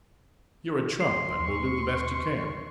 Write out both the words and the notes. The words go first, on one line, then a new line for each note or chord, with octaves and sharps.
You're a trump; and will do the best you can.
C6 C7
D#2 C6 C#6